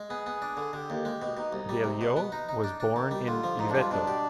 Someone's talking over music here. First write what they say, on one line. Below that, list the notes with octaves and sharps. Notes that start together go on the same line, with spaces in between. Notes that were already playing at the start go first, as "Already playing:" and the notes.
Vieillot was born in Yvetot.
Already playing: G#3
B3 G#4
B3
D4
D3
D3 G4
D#2
G#3
B2
B2 D#4
C2
G3
C3
B2
B3
D#4
D#4
D4
D4
D#3
G3
D3 F4
F3
G#2 D#4
D4
G3 F4
B2 D4
G4